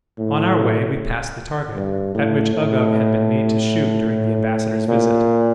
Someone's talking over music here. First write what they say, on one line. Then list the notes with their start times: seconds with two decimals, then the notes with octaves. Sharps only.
On our way, we passed the target, at which Uggug had been made to shoot during the Ambassador's visit.
0.19 A2
1.75 G2
2.15 A2
2.54 A2
4.89 A#2